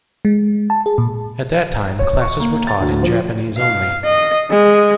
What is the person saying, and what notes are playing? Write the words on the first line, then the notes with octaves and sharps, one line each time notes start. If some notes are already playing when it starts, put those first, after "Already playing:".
At that time, classes were taught in Japanese only.
G#3
A5
G#4
A#2
C#5
C#6
A#3
A6
D2
F3
F5
D#5
G#3